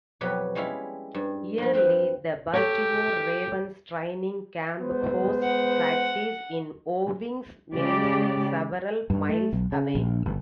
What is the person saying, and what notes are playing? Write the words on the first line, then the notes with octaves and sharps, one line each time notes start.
Yearly, the Baltimore Ravens Training camp hosts practice in Owings Mills, several miles away.
F2 B2 F#3 G4 B4 C#5
G3 G#3 C#4 E4 F5
G2
G2 F3
C4 B4 F5 G5
G4 A4 C#5
G#3 B3 C5
F#5
C#3 G#3 G4 D5
G2
A3
B1
C#3
A#1
G1